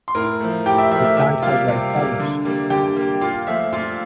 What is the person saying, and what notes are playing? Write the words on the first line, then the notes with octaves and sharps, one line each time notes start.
The plant has white flowers.
C6
A2 A#4 A#5
F3 A3
A2 G4 G5
E5
F3 A3 E5
E5
C3 E5
G3 A#3 F4 F5
C3
G3 A#3
D3
G3 A#3
D3 G4 G5
G3 A#3
A#2 F4 F5
F3 A3 E5
A#2 F4 F5